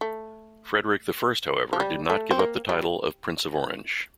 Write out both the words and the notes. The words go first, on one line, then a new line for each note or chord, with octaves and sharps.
Frederick I, however, did not give up the title of Prince of Orange.
A3
F3
G3
A3
C4
A#3
G3